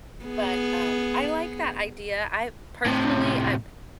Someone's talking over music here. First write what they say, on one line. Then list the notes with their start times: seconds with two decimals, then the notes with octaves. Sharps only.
but, um, I like that idea, I personally I
0.25 B3 G#4
2.86 A2 C3